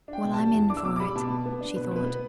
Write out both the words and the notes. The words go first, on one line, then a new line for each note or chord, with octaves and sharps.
"Well, I'm in for it," she thought.
D4
G5
B2
G3 A5
E2
D4 D6
E6
B2 D6
D6
G3 B5
B2 A5
B2
B3
D4
B2 B4
B2 B4
B3